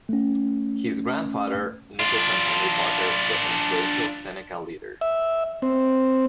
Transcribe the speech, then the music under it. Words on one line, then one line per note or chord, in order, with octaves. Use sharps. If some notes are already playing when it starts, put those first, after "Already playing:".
His grandfather Nicholson Henry Parker was an influential Seneca leader.
A3 C#4
D4 F4
E5
C4